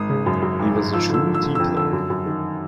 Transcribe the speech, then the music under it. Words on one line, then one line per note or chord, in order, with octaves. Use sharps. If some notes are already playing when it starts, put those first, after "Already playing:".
He was a true team player.
Already playing: G#1 D#6
C#3
F#2
F#2
G#1
G#1
F3 E6
D3 E6
F3
E6
D3
F2 E6
D3 E6
F#2
F#2
D#3